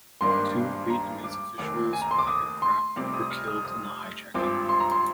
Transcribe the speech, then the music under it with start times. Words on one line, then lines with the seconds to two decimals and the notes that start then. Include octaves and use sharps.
Two Vietnamese officials on the aircraft were killed in the hijacking.
0.21 G#1 G2 D#3 A#3 D4 C6
0.90 A#5
1.24 D6
1.58 F1 D#2 D#3 D6
1.93 G#5
2.02 A#5
2.11 C6
2.18 D6
2.27 D#6
2.62 C6
2.96 F1 F2 C3 G3 C4 D6
3.14 D#6
3.30 F6
3.48 D#6
3.65 D#6
4.34 G#1 G2 F3 C4 D6
4.69 C6
4.80 A#5
4.91 C6